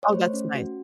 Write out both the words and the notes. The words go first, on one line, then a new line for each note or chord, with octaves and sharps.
Oh, that's nice.
C#5
A3 C5
C#4
F#4